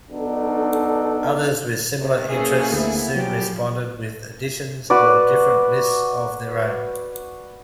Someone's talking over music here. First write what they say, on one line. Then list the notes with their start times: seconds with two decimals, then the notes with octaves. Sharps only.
Others with similar interests soon responded with additions or different lists of their own.
0.11 B1 D3 B3 D4 D#4 A4
1.98 D#2 C3
2.29 E3 A#3 C#4 G#4 A4
2.72 D2 B3 E4
3.16 C#3 F3 F#3 G4
4.90 F#4 B4 D5